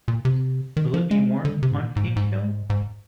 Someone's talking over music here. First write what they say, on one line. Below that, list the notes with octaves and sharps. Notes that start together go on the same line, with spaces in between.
Will it be warm on Pink Hill?
A#2
C3
D#3
F3
G#3
D3
C3
G#2
A#2
G#2
A#2
G#2
G#2